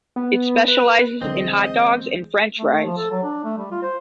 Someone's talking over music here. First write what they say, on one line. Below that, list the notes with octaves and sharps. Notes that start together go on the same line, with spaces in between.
It specializes in hot dogs and french fries.
B3
B4
B1 D3 E3 G#3 C4 D#5
A3
A3
F3
A4
F#3
D4
A3
G3
F4
C5